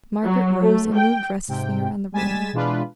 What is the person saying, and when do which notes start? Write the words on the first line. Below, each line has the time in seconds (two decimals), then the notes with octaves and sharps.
Margaret rose, and moved restlessly around the room.
0.25 F#3
0.62 A3
0.96 G5
1.48 G#2 C3 G5
2.12 G3 G#3 G#5 A6 B6 E7
2.53 B2 E3 G#3 D4 F4 B4